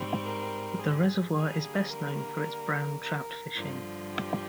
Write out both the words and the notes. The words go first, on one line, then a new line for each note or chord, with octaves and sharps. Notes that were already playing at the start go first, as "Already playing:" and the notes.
The reservoir is best known for its brown trout fishing.
Already playing: G#2 G3 C4
A#4
G#4
D3 G3 A#3 G#4
A#4
A#4
G2 D3 F3
G4